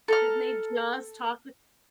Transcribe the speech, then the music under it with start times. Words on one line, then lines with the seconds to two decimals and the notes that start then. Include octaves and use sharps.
Didn't they just talk
0.08 A4 A#5 F6